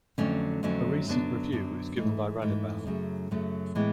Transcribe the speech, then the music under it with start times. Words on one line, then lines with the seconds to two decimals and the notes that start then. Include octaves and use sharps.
A recent review is given by Radebaugh.
0.18 F2 D3 F#3 A3 C#4
0.63 F2 D3 F#3 A3 C#4
1.07 F#2 D3 F#3 B3 D4
1.52 F#2 D3 F#3 B3 D4
1.96 G#2 E3 A3
2.42 G#2 E3 A3
2.86 F#2 C#3 F#3 A3
3.31 F#2 C#3 F#3 A3
3.75 A2 E3 G#3 B3